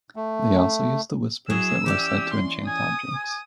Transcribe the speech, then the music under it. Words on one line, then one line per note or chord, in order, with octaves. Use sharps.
They also used the whispers that were said to enchant objects.
A3
F#3 E4 F#4 G#4 E6
E3 C#4 G4 D5
C6
G#5 D#6
G#5